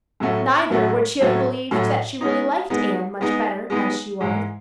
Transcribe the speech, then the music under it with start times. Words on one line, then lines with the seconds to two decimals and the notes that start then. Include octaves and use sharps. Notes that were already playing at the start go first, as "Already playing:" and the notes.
Neither would she have believed that she really liked Anne much better as she was.
0.20 A2 F#3 A3 C#4 F#4
0.70 A2 F#3 A3 C#4 F#4
1.21 A2 F#3 A3 C#4 F#4
1.71 A2 F#3 A3 C#4 F#4
2.21 G#3 B3 D#4
2.70 G#3 B3 D#4
3.21 G#3 B3 D#4
3.70 G#3 B3 D#4
4.20 G#2 E3 G#3